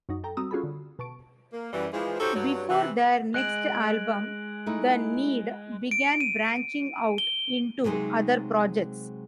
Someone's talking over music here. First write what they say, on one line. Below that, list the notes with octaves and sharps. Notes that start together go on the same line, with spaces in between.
Before their next album, The Need began branching out into other projects.
F#2 F#3 D#4
A4 G5 A#5
G3 C4 F#4 A#5 D#6 E6
C#4 F4 F#4 G#4 A4 B5
D3
B2 A5 C#6 D7
A#3
F#2 E3 G3
E3 F3 G#3
D#4 F#4 G4 A4 C5 C#5
G2 F#3
C3 E3
G#3 F#6 D7 F#7
A3 D#4 E4
D7
D#7
G7
C3 F#3 G#3 C4 D#4